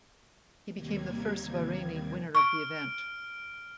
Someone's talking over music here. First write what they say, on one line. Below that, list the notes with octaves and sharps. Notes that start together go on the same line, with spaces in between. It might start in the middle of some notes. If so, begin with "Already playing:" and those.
He became the first Bahraini winner of the event.
D#2 C3 D#3 G3 A#3 G#6
C#6 F6 D7